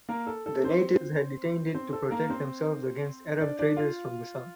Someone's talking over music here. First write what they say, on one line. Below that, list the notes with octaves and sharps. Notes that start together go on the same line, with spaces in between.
The natives had detained it to protect themselves against Arab traders from the South.
A#3 A#4
A4
A4
C4 C5
C4 C5
A4
A#3 A#4
C4 C5
D4 D5
D4 D5
F4 F5